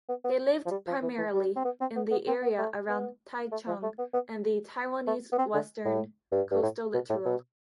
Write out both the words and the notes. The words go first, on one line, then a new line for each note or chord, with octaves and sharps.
They lived primarily in the area around Taichung and the Taiwanese western coastal littoral.
B3
B3
F3
G3
F3
E3
E3
G3
C4
B3
C4
B3
B3
C4
B3
A3
B3
A3
F3
A3
B3
B3
A3
B3
C4
D3
A2
G2
G2
A2
B2
A2
B2